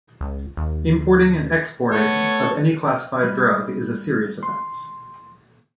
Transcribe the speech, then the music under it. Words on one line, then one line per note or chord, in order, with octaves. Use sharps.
Importing and exporting of any classified drug is a serious offence.
C#2
D#2
A3 B3 A4 C#5
G3 B5
C6